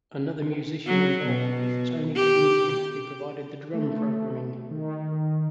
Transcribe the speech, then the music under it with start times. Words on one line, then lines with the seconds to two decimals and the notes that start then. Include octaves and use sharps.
Another musician involved was Tony Shimkin, who provided the drum programming.
0.87 F#3
1.26 B2
2.16 G4
3.74 A3
4.71 D#3